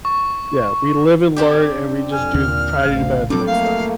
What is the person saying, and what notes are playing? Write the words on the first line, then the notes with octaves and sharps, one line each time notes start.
Yeah, we live and learn and we just do try to do better the next time.
C#6
C4 D4 G4
F2 G#5 F6
D#2 A#2 D3
A1 D2 C#3 F5
F2 F#3 C4 D4 A4 D6
A3 A#3 F5